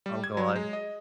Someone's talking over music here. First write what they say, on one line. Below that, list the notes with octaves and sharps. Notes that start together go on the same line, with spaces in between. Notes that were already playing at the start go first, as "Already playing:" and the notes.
Oh god.
G3
G#6
F#3
G#3
D#5